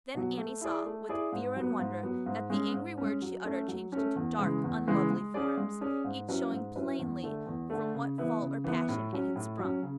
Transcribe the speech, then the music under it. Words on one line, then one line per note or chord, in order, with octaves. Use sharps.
Then Annie saw, with fear and wonder, that the angry words she uttered changed to dark, unlovely forms, each showing plainly from what fault or passion it had sprung.
B2 F#3
A3
E4 G#4 D5
A3
E4 G#4 D5
G#2
F#3 B3
G#2
F#3 B3
G#2
G#3 C#4
G#2
G#3 C#4
F#3
A3 C#4
F#3
A3 C#4
E2
C#3 E3 G#3
E2
C#3 E3 G#3
G#3
C#4 G#4 D5
G#3
C#4 G#4 D5
G#2
F#3 C#4 E4 B4
G#2
F#3 C#4 E4 B4
E2
D3 A3
E2
D3 A3
C#3
E3 B3 E4
C#3
E3 B3 E4
A2
F#3 C#4
A2
F#3
C#4
C#3